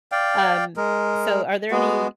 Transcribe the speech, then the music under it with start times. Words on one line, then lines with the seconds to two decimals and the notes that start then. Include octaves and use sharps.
Um, so, are there any
0.12 D5 F5 G5
0.77 G#3 A#4
1.71 G#3 B3 F#4